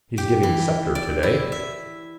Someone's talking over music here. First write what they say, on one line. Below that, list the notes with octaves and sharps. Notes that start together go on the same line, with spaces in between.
He's giving Sceptre today.
G4
E3
D5
E4
E5